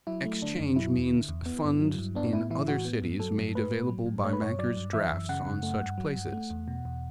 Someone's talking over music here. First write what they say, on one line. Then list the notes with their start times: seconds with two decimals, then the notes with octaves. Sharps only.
"Exchange" means funds in other cities made available by bankers' drafts on such places.
0.07 F#3 E4
0.25 A3
0.42 D3 D4
0.60 F#2
0.76 F#3 E4
0.93 E2
1.11 D3
1.29 E2
1.46 B3
1.64 G2
1.80 F#3
1.99 G2
2.15 B3 D4
2.33 A2 E4
2.50 E3 E4
2.67 A2 F#4
2.85 B3
3.02 G2
3.19 F#3 A4
3.38 G2
3.55 A3 B4
3.73 A2
3.89 F#3
4.06 A2
4.24 A3 C#5
4.33 B4
4.42 G2 C#5
4.59 F#3 D5
4.77 G2
4.93 E3 E5
5.12 F#2
5.29 C#3 F#5
5.46 F#2
5.63 A3
5.81 G2
5.98 F#3
6.16 G2
6.33 A3
6.50 E2
6.68 B2
6.85 E2